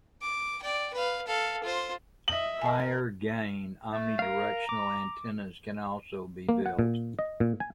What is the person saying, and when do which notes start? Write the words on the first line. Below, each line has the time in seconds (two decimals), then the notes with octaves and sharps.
Higher-gain omnidirectional antennas can also be built.
0.21 D6
0.62 D5 G5
0.93 B4 F5
1.27 A4 F5
1.63 F4 C5
2.28 D#5 E5 F#7
2.62 A#4 D#5 G#5
3.92 A3
4.19 A#4 F5
4.40 A#5
4.69 D6
6.49 A#3
6.66 F#5
6.79 A#2
7.19 D#5
7.40 A#2
7.60 G#5